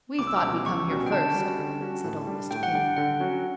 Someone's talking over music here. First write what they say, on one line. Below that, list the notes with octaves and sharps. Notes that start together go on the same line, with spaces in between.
"We thought we'd come here first," said old Mr. King.
C#2 D6
E6
D6
B2 G3 C#4 F#4
C#2 C#6
B2 G3 C#4 F#4
G5
D3 A5
G3 C#4 F#4
D3
G3 C#4 F#4
A2
G3 D4
A2 G5
F#5
G3 D4 G5
D3 F#5
F#3 C#4 F#4